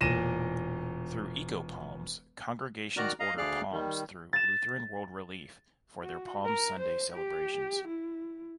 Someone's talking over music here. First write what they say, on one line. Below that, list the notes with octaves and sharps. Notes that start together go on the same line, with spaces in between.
Through Eco-Palms, congregations order palms through Lutheran World Relief for their Palm Sunday celebrations.
E1 A#2 A#6 D#7 E7
D#3 F#4 D5 A#5 F6 F#6
D#5 F5 A#5
D2 G#4 D5 F5 F6 F#6
D#3 G3
A6 E7
F#4
A#4
C5
G4
E4